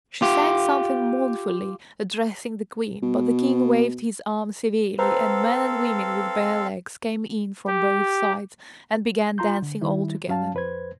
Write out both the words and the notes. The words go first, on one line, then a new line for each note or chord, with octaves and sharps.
She sang something mournfully, addressing the queen, but the king waved his arm severely, and men and women with bare legs came in from both sides and began dancing all together.
F4 G4
B2
C4 A4 B4 C5 F5 A#5
G4
F4 A#5 C6 G6
D3
D#3 G3 E4
F#2 F#3 C#4 F5 A5
F2 B4 C5 G#6